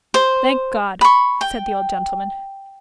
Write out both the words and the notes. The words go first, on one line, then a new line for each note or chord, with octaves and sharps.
'Thank God!' said the old gentleman.
C5
B5 C#6
G5